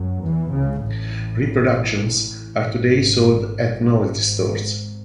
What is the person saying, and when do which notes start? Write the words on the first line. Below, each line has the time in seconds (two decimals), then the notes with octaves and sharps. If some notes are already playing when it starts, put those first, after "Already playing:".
Reproductions are today sold at novelty stores.
Already playing: F#2 F#3
0.23 E2 E3
0.52 C#2 C#3
0.81 A1 A2
2.57 G#1 G#2
3.74 G#1 G#2